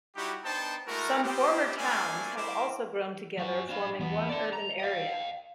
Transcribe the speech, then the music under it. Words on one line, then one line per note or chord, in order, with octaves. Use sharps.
Some former towns have also grown together, forming one urban area.
G3 D#4 E4 F#4 G4
B3 D4 D#4 C5 G5 A5
G#3 A3 E4 F#4 A#4
B3 C4 F4 G4
G3 A3 A#3 C4 D4 G#5
G3 E4 A#4 C5 D6
F#2 F#4
D4 F5
E2 B3
A4 D5
A#5
D#5 F5